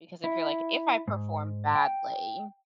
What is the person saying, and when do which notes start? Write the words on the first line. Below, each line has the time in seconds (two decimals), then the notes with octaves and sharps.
Because if you're like, if I perform badly
0.24 E4
1.08 G#2
1.75 G5